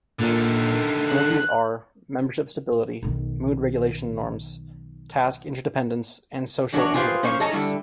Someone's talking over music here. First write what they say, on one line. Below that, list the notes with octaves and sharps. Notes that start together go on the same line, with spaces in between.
Some of these are: membership stability, mood-regulation norms, task interdependence and social interdependence.
A#2 D3 D#3
F#6
B1 D#3
E2 F#3 D4 C#5 A5 A#5
F4 G4 G#4 B4 C5 F5
A#3 C#4 C5 C#5 F5
G#4 A4 C#5 D#5 A5 A#5
D3 G3 E4